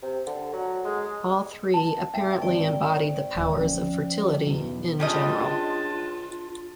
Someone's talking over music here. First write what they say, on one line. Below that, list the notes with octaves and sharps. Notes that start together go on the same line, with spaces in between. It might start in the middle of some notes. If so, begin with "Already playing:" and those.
All three apparently embodied the powers of fertility in general.
C3
D3
F#3
G#3
A5
E5 G5
G#1 D5 G5
D#1 D2
F3 C4 C#4
B1 E2
C#2 G3 C#4 D4 F4 D#5 A5